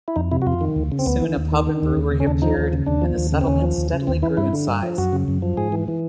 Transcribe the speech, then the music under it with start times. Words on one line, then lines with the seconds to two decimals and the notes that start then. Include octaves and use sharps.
Soon a pub and a brewery appeared, and the settlement steadily grew in size.
0.08 E4
0.16 F2 D#4
0.31 C3 E4
0.42 F#4
0.47 F2 F4
0.61 D#3
0.76 D2
0.92 C#3
0.99 C4
1.06 D2 B3
1.22 E3
1.37 D#2
1.52 D#3
1.67 D#3
1.82 D#2
1.97 D#2
2.12 C#3
2.20 C#4
2.27 D#2 D4
2.42 F3 D#4
2.57 D#2
2.72 C#3
2.86 D#2 D4
3.02 F3
3.18 D#2
3.32 C#3
3.41 C4
3.47 D#2 C#4
3.62 F3
3.78 D#2
3.93 C#3
4.07 D#2 C4
4.22 E3 E4
4.37 G2 E4
4.53 D3
4.68 G2
4.83 F3
4.98 F#2 F#4
5.13 C#3
5.28 F#2
5.42 F3
5.57 G#2 G#4
5.72 E3
5.88 E3